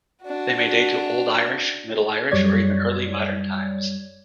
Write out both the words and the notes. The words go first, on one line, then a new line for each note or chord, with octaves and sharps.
They may date to Old Irish, Middle Irish or even early modern times.
D4 F#4
F#2 G3 C#5 D5 G#6